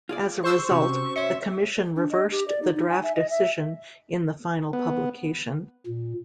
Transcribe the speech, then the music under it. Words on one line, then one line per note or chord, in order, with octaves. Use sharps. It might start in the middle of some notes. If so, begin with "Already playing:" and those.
As a result, the commission reversed the draft decision in the final publication.
F4 G#4 D5
C5 C#6 E6
C3 C#4 F#4
C#5 E5 C#7
D4
D#5
G4
D5
D#4
D#4
G#5
E5
D#5
E5
B3
A#2